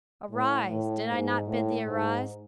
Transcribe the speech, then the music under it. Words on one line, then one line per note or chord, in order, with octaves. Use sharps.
"Arise! did I not bid thee arise?"
A2
A2
G#2
A2
G#2